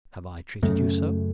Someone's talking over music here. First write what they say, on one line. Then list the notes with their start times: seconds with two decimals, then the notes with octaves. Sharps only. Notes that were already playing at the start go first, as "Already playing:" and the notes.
"Have I treated you so?"
0.63 F#2 C#3 A3